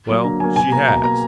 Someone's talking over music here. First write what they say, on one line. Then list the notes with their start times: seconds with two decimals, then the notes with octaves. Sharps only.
Well, she has.
0.09 F#3 A#3
0.24 D3 A#5
0.40 F#3 A#3 G#5
0.56 B2 G#5
0.72 A#3 A#5
0.88 B2 A#5
1.04 A#3 A#5